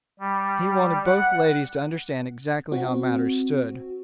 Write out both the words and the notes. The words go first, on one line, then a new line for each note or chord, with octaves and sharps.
He wanted both ladies to understand exactly how matters stood.
G3
F#5
C4 F#4